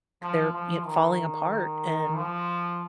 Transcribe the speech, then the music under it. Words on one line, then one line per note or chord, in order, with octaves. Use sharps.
they're y falling apart, and
F3
F3
D#3
D#3
F3